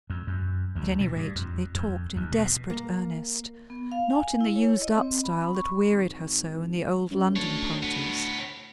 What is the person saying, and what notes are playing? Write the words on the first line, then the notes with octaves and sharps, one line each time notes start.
At any rate, they talked in desperate earnest,--not in the used-up style that wearied her so in the old London parties.
F2
F#2
D2
B2
G2
F2
F2
D#2
B2
A#3
B3
F5
G#5
E4
C#5
D#5
C4
B5
C#6
G#1
F#2
D2 A4 C#5
A2 B3